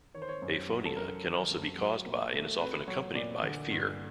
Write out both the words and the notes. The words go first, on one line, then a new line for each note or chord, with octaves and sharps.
Aphonia can also be caused by and is often accompanied by fear.
D#3 C#5
C5
C#5
F#2
F#3
A4
F#2 A#4
D#3
F#2
F#3
A#2
A3
C4 B4
F#3 C#5
A#2 D5
D3
G2